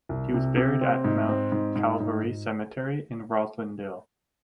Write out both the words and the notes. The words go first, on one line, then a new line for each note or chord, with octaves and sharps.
He was buried at Mount Calvary Cemetery in Roslindale.
C2
C3
C3
C4
G#2
C4
G#2
G#2
G#2
G#2